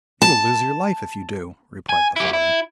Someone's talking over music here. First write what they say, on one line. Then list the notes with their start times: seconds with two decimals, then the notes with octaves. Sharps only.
'You will lose your life if you do,' replied the father.
0.22 A5
1.89 G#5
2.16 E4 G4
2.33 E4